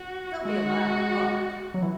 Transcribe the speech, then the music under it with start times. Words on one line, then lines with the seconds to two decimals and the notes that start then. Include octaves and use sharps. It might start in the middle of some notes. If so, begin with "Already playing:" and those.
They'll be a mile apart.
Already playing: F#4
0.45 G#3 F#4
1.74 F#3
1.82 E3